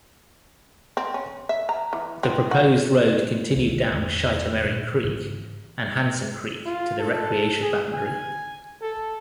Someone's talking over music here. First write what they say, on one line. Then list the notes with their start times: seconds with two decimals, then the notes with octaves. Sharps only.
The proposed road continued down Shitamaring Creek and Hansen Creek to the recreation boundary.
0.97 C4
1.14 C#4
1.49 E5
1.69 A#5
1.93 E3
2.23 C4
2.51 F#4
3.56 C2 D3 D#3
3.93 E2 D3
4.64 A#2
5.04 G#2 C#3 E3
6.66 F4
6.99 A4
7.62 G#4
7.94 G#5
8.82 A4